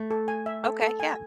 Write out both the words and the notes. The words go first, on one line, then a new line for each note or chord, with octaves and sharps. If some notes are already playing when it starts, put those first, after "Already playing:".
Okay, yeah.
Already playing: A3
A4
G#5
E5
A4
A4
G#5